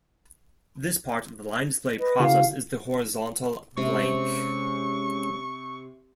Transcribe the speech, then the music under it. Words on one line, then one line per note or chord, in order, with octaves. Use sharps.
This part of the line display process is the Horizontal Blank.
B4 D#5
C#3 E4 F#4 F5
C3 G#3 C#4 C#6